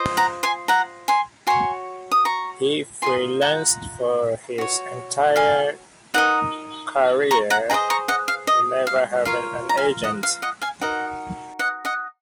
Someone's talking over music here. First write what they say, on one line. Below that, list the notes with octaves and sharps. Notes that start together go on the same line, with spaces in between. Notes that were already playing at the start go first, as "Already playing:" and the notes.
He freelanced for his entire career, never having an agent.
Already playing: F4 C5 D#5
F#5 A#5
G#5 C6
F#5 A#5
G#5 C6
F#4 C#5 G#5 C6
D#6
A#5 C#6
F4 A#4 D#5 G#5 C6
F#5 A#5
F#4 C#5
F5 G#5
D#4 A#4 D#5 F#5 A#5
A#5 C#6
F#5 A#5
G#4 C5 D#5 F#5 A#5
A#5 C#6
D#5 F#5
F5
D#5
F5
F4 A#4 C#5 F5
A#5
F5 G#5
D#5 F#5
F5
D#5 F#5
F5 G#5
D#4 F#4 A#4 D#5 F#5
D#5 F#5
D#5 F#5